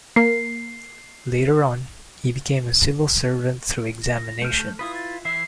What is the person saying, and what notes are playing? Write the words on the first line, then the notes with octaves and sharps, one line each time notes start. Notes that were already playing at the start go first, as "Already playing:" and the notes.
Later on, he became a civil servant through examination.
A#3 A#4 C7
A#6
A3 F6 G6
E4 F4 B4 D#6
A6
E3 E4 E5 C7